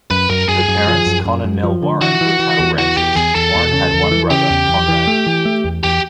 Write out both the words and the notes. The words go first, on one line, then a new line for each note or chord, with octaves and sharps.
Her parents, Con and Nell Warren, were cattle ranchers; Warren had one brother, Conrad.
F#2 B4
F#2 A#4
F#2 G#4
F#2
F3
F#2
F#2
F#2
F3
D3
E3 F#4
E3
E3
E2
E3 F#4
E2 G4
E2 G#4
E2 A4
E2
C#3
E2
E3
C#3 G4
E2
E2
E3
A3
E3
A3
E2
E2 G4